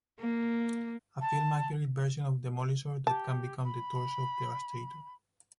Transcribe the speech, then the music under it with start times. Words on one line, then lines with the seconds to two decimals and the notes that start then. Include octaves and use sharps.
A film-accurate version of Demolishor that can become the torso of Devastator.
0.20 A#3
1.21 A5
3.07 G4 A5
3.63 B5